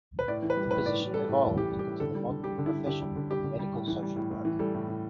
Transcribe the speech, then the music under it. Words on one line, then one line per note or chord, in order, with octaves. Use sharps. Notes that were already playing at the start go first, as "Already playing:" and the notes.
This position evolved into the modern profession of medical social work.
B4
A2 D5
E3
B4
G3
A2 B4
A2 D5
E3
G3 A4
A2
A2
E3 G4
G3
G4
A2
D3 A4
G3
D3
G3 G4
D3
E4
G3
D3 G4
G3
D3
G3 G4
D3
G3
A2
E3
G3
A2
A2
E3
G3 A4
A2
A2